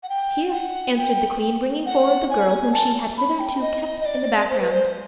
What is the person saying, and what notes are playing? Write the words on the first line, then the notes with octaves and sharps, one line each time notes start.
'Here,' answered the queen, bringing forward the girl, whom she had hitherto kept in the background.
F#5
G5
F#5
G5
F#5
G#5
A5
B5
G5
D#5
D#5
D5
C5
B4
C5